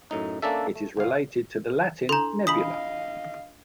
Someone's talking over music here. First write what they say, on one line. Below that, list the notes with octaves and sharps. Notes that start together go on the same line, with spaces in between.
It is related to the Latin "nebula".
F#2 A2 D#4
A#3 C#4 D4 A4 E5
A3
G1 F5
D4 E4 A4 A#5 C6
D4 F4 D#5 F5 B5 D#6 B6 F#7